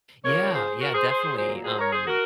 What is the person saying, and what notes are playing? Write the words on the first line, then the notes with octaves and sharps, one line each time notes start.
Yeah, yeah, definitely, um
C#3 F3 A#3 A#4 C#5
G#4 C5
C5
F#4 A#4
G#4 C5
G#4 C5
A#2 F#3 A#3 G#4 C5
G#4 C5
A#4 C#5
G#4 C5
F#4 A#4